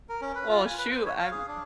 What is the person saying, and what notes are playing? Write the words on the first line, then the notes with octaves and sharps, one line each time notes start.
Well, shoot. I'm
A#4
C#4
B4
F4
G#5
B4
C5
C#5
F5
G#4
D4